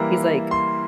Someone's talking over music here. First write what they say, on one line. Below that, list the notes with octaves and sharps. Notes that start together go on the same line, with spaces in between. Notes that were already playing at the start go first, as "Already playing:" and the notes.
He's, like,
Already playing: E3 G3 A#3 E4 A#5
C6